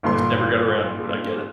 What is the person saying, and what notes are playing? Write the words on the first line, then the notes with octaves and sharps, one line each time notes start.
Just never got around to it, I get it.
G#1 G2 A#2 D3 B4 C6